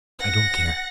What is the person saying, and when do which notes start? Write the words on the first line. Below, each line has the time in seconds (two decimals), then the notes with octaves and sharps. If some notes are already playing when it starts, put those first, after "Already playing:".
I don't care.
0.19 F#5 A#6